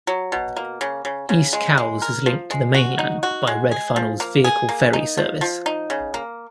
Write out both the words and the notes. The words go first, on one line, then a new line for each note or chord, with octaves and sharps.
East Cowes is linked to the mainland by Red Funnel's vehicle ferry service.
F#3
B2
A#3
C#3
C#3
C#3
G#3
G#3
A#4
F3
G#3
F#4
D#4
F#4
G#3
G#4
F3
A#3
G#4
A#3
D#4
F3
F3
D#4
C#3
A#3